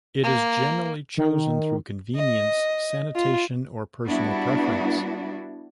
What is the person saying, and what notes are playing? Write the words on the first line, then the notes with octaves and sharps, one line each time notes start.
It is generally chosen through convenience, sanitation, or personal preference.
A#3
D#3
D#5
F4
G3 B3 D4 E4 F#4